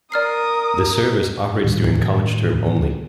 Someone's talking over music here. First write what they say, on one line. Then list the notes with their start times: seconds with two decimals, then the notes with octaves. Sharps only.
This service operates during college term only.
0.12 A#4 D5 D#6 F6 C7
1.64 A2 D#3 G3 D4